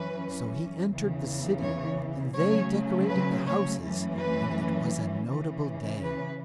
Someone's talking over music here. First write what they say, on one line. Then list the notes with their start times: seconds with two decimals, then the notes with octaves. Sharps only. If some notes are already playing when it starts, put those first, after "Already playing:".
So he entered the city, and they decorated the houses and it was a notable day.
Already playing: F#2 E3 C#4 B4
0.89 E2 C#3 E3
1.62 C#5
2.35 C#3 F#3 A3 C#4 C#5
3.08 B4
3.46 C#5
3.82 F#2 E3 A3 C#4
4.18 B4
5.28 C#3 E3 C#4
6.01 B4